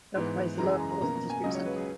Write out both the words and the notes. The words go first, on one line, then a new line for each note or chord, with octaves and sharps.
It occupies the lower floors of the Citigroup Center.
G#2 E3 B3
F#2 C#3 E3 G#3 A#5
G#5
A#5
A#5
B2 A#3 C#4 A#5
A#5
G#5
C#2 C#3 F#3 D#5
C#5
B4
G#4